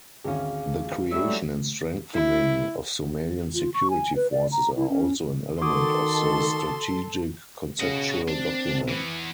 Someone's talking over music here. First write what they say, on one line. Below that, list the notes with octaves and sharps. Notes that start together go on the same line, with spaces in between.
The creation and strengthening of Somalian security forces are also an element of the strategic conceptual document.
G#1 D2 C#4 G#4 F5
F#3 G3 A3 D5 E6
E4
F4
C#6
G#5
B4
D5
A#5
E4
C#4
D#3 F#4 A4 C6 D6 D#6
C#3 F#4 D#5
C4 D4
E3 B3